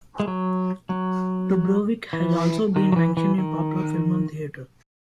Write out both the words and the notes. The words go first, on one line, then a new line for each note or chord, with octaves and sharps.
Dubrovnik has also been mentioned in popular film and theatre.
G#3
F#3
F#3
E3
D#3
F#3
E3
E3
D#3